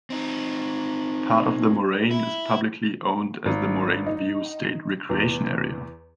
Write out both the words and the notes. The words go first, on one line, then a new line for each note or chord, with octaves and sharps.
Part of the moraine is publicly owned as the Moraine View State Recreation Area.
C4 D#4
E4
G#1
D#4
E2